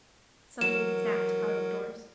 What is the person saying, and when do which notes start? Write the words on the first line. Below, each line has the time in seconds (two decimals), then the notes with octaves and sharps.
Something snapped out of doors.
0.61 E3 F#3 A#4 E7